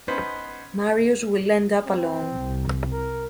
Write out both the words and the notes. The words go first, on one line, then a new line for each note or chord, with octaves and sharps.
Marius will end up alone.
B3 C#4 D#4 B4 C5
C4
C2
A#4